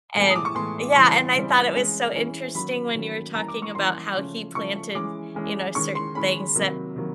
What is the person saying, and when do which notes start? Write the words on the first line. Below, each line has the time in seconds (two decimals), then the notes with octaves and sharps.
and yeah, and I thought it was so interesting when you were talking about how he planted, you know, certain things that
0.15 A2 E3 G#3 B3 G#5
0.25 A5
0.30 D#6
0.35 D6
0.45 C#6
0.55 A2 E3 G#3 B3 C6
0.95 C#3 E3 G3 C4 C6
1.35 C#3 E3 G3 C4
1.75 E3 G#3 C#4
2.15 E3 G#3 C#4
2.55 D#3 F#3 A#3 C#4 B5
2.95 D#3 F#3 A#3 C#4
3.35 E3 G3 A#3 C#4 A#5
3.48 D6
3.62 C#6
3.75 E3 G3 A#3 C#4 C6
4.16 C#3 F3 A3 C#4
4.55 C#3 F3 A3 C#4 C#6
4.95 E3 G#3 C#4 D6
5.35 E3 G#3 C#4
5.75 D#3 G#3 C#4 C#6
5.95 C6
6.15 D#3 G#3 C#4 B5
6.55 C3 D#3 F#3 A#3
6.95 C3 D#3 F#3 A#3